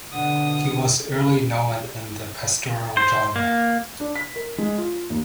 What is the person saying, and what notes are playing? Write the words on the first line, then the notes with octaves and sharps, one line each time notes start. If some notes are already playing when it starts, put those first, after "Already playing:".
He was early known in the pastoral genre.
B2 D3 D4 F#5 D#6
C5
A#3
D4
B6
A#4
G#3
F4
D#2